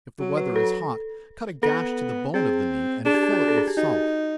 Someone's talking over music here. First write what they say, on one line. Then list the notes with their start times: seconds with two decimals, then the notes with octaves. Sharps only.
If the weather is hot, cut a gash to the bone of the meat, and fill it with salt.
0.20 F#3
0.37 B4
0.56 A4
1.62 B3 A4
2.34 C4 G#4
3.05 D4 G#4
3.14 G4
3.23 G#4
3.32 F#4
3.48 A4
3.58 G#4
3.67 G4
3.77 D#4 F#4